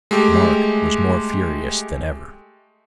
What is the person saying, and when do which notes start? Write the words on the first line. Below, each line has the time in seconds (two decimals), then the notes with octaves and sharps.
Mark was more furious than ever.
0.11 G#3 A3 G4